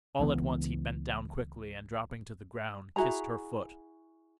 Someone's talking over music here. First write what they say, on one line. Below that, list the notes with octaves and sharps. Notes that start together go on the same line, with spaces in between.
All at once he bent down quickly and dropping to the ground, kissed her foot.
C#2 E3 B3
E4 F#4 G#4 A#5